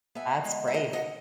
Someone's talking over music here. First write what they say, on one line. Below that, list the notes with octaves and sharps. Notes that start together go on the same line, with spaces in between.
That's brave.
B3 E5 G#5
G#3
E5
D#3 D#5 F#5
D#5 F#5